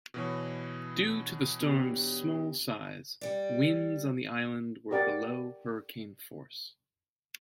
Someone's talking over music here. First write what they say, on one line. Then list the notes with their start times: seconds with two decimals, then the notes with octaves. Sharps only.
Due to the storm's small size, winds on the island were below hurricane force.
0.14 B2 E3 C#5
1.61 B3 D4 G4
3.21 G3 D5
4.91 G4 A#4 D5 F#5 G5